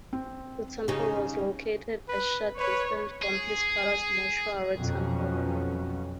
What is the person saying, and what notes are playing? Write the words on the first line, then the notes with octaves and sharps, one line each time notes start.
The temple was located a short distance from his father's mortuary temple.
C4
C#3 D#4 G4 G#4
B4
B4 C#5
G#4
F2 B2 F#3 C#4